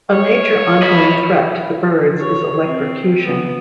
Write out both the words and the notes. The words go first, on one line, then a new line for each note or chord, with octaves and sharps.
A major ongoing threat to the birds is electrocution.
C#5
D#5 B5
C#5
C4
B3